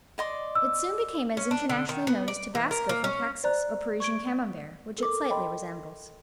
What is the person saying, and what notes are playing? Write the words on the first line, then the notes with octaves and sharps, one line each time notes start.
It soon became as internationally known as tabasco from Texas or Parisian Camembert which it slightly resembles.
D5 D#5 C6
E6
C#4
D4
D3
D#3
B3
D5
E3
A#4
A#3
C#4
C5 D5 A#5 F#6
C#6 G#6 D7
A4 A#4 D6
D#5 G5 B5 C6